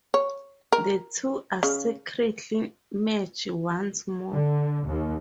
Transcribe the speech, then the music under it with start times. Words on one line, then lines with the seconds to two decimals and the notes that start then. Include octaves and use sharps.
The two are secretly merged once more.
0.14 C#5
0.72 A#4
1.63 C#3
4.30 D3
4.85 D#2